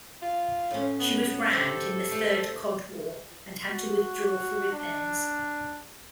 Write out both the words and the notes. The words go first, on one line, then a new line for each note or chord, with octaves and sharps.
She was rammed in the Third Cod War and had to withdraw for repairs.
F4
A2 C#4
B3
G4 A4 C5 E5
A3 C5
F#4
D4